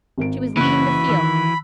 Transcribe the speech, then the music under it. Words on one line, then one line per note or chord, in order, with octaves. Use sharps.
She was leading the field.
G#1 A#4 D7
F#1 C#3 E3 F#4 B5 F#6
D#3 E6